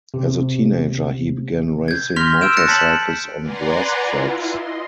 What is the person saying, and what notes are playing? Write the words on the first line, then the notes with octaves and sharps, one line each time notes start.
As a teenager, he began racing motorcycles on grass tracks.
C3
G6 G#6
C6 F6 A#6 B6 F7
E6 G6 D7 E7
F#6 A6 A#6 C#7
A5 G6 B6 E7 F#7
B4 D5 F#5 G#5 A#5 C6
E4 F4
D#5 C6